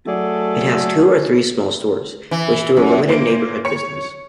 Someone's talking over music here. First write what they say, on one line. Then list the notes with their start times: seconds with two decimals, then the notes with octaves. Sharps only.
It has two or three small stores, which do a limited neighborhood business.
0.07 F#3 A3 G#4 A4 D5
2.31 E3
2.77 F#2
3.07 E3 A#3 C5 D7
3.65 C#5 C#7